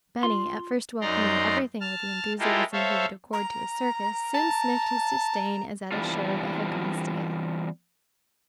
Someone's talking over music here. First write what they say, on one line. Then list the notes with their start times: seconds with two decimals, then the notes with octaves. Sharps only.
Benny, at first welcoming everything with the enthusiasm he would accord to a circus, soon sniffed his disdain, as at a show that had gone stale.
0.23 F4 C6
1.01 F#2 D#4 D5 A#5 C6
1.81 A5 F6
2.39 G#3 E4 F4 G4 A4 A#4
2.73 A4 C5 C#5 E5 F5
3.32 A#5
4.35 A5
5.92 E3 G3 B3 C4 D4 F4